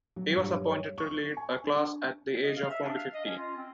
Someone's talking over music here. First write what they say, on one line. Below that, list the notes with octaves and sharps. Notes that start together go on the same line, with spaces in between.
He was appointed to lead a class at the age of only fifteen.
F#3
G2
C#5
C#6
G#5
D4
D#5
F5
E5
D4
F5
D#5
C#4
F4
C4